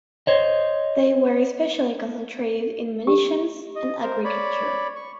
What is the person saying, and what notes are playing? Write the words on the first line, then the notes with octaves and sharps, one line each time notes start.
They were especially concentrated in munitions and agriculture.
C5 C#5 D#5
G4
D#5
A#4 C5
C#5 D5 B5
C#6